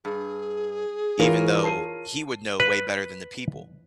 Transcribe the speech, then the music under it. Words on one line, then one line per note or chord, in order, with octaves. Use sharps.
even though he would know way better than the people.
G2 G#4
E3 F4 A#4 C#5
A5 C7 D#7
B4